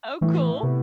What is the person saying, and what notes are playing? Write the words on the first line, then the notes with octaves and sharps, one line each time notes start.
Oh, cool.
A2 E3
C3 B3